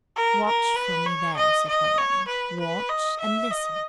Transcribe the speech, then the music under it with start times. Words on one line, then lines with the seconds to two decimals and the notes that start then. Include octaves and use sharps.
Watch for me there, citoyenne, watch and listen. . . .
0.16 A#4
0.47 A#4
0.76 B4
1.07 C#5
1.37 D#5
1.69 D#5
1.98 C#5
2.28 B4
2.60 B4
2.89 D#5
3.21 E5
3.51 D#5